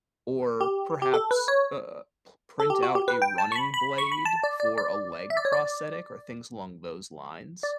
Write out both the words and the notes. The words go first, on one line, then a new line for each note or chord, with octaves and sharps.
or perhaps, uh, p print out a running blade for a leg prosthetic or things along those lines
G4
G4
A4
B4
C#5
A4
G4
F#4
G4
B4
G5
A5
C#6
B5
B5
C#6
B5
A5
D5
D5
D5
E5
D5
C#5
D5
D5